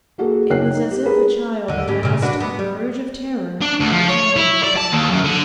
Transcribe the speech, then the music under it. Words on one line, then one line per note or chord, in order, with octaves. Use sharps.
It was as if a child had asked on the verge of terror for a candle in the dark.
A#3 F#4 G#4 A4
F#1 C#5 G5 F#6 C7
D#4
G4
G#3 G#4 A#4 B4
D#2 D3
A2 C#4 G4
A#2 C#3
D4 F#4 B4
B3
G3
D4
D2
F3
C#5
E4
D5
A5
D#2
F#2
D3